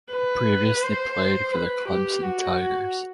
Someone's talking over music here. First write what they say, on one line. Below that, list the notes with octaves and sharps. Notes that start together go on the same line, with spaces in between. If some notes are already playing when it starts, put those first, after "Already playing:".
He previously played for the Clemson Tigers.
B4
C5
B4
G4
F#4